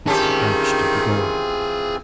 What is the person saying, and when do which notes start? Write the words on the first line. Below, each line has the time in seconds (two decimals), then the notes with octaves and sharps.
Crouched at the door.
0.07 D#3 E3 C4 C#4 F4 G4 G#4 A5